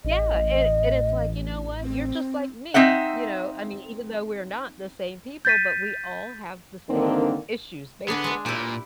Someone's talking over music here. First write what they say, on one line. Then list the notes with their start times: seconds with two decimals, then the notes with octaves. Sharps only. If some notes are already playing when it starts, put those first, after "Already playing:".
Yeah, and and it's like, "You know what? You're just like me." You know? I mean, even though we're not the same people, but we all have the same issues, basically.
0.04 A1 D#5
1.81 C4
2.74 C4 D#4 E5 F#5
5.45 G6 A6 B6 D#7
6.89 G2 D3 D#3 A#3 C4 D4
8.08 D3 B3 D4 G#4
8.24 G#3 D4
8.46 A#2 E4 G4